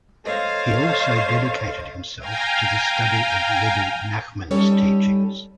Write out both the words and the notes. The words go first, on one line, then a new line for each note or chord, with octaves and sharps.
He also dedicated himself to the study of Rebbe Nachman's teachings.
A4 C5 C#5 D#5 F5
F5 G5 G#5 A#5
G3 C#4 D#4 G4 A4 C#5